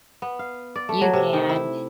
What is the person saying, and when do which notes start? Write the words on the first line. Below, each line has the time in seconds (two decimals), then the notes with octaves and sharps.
you can
0.22 B3
0.39 F5
0.76 D5
0.89 A3
1.01 F#3
1.13 C3
1.33 D#3
1.49 E4